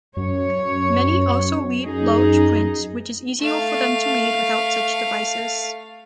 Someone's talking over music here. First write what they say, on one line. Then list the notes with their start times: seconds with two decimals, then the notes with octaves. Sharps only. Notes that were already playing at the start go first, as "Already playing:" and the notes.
Many also read large-print, which is easier for them to read without such devices.
0.17 F#2 C#5
1.85 D#4 G#4
3.41 A3 F5